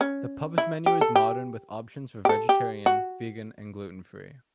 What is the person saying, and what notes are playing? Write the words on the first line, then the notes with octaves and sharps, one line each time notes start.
The pub's menu is modern, with options for vegetarian, vegan, and gluten free.
C#4
E4
G4
A4
G4
G4
A4
G4
F#4